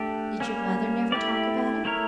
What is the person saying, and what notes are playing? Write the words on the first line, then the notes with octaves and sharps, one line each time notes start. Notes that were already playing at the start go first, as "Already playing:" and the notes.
"Did your mother never talk about him?"
Already playing: A3 D4 G4
G3 A#3 C#4
A3 E4 G4 D5
A3 E4 A#4 C#5